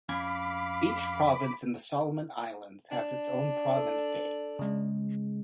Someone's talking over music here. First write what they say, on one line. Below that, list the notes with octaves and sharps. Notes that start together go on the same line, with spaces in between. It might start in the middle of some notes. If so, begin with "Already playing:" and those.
Each province in the Solomon Islands has its own Province Day.
F2 C#4 F5 G#5 B5 D6
D4
A4
C#3 G#3